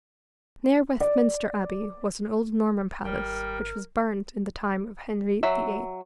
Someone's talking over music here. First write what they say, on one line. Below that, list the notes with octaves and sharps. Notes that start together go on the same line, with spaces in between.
Near Westminster Abbey was an old Norman palace which was burnt in the time of Henry VIII.
D5
G#1 G3 A#4 G5
F#3 E5